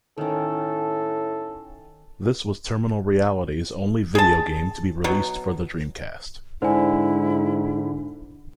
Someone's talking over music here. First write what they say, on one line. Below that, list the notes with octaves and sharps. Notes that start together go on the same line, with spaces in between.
This was Terminal Reality's only video game to be released for the Dreamcast.
A2 D#3 C#4 A4
G#4 A5
B2 F#3
G#2 D3 E4 C5 G#5